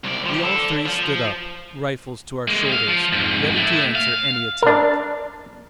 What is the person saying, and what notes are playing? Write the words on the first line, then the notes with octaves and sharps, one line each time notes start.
We all three stood up, rifles to our shoulders, ready to answer any attack.
C2 D5
F3 G4
D4 A4
F3
F3
G#3 A#3
F5
F3
F2 G#2
A3 E4
F5
D4 A#4